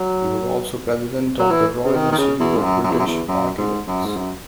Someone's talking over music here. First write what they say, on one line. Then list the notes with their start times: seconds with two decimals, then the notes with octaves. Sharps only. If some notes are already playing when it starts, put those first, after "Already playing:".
He was also president of the Royal Institute of British Architects.
Already playing: F#3
1.39 F#3
1.51 E3
1.85 C#3
1.95 D#3
2.12 D#3
2.18 C#3
2.39 E2
2.57 G#2
2.62 F#2
2.84 F#2
2.91 E2
2.99 F#2
3.07 E2
3.28 F#2
3.58 G#2
3.87 F#2
4.05 G#2
4.16 F#2